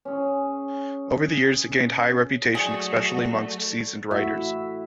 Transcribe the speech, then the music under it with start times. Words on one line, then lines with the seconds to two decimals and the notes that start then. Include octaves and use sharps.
Over the years it gained high reputation especially amongst seasoned riders.
0.05 C#4 G#4
2.55 F#3 A3 F#4 G#4 D5
4.11 A3 E4 F#4 E5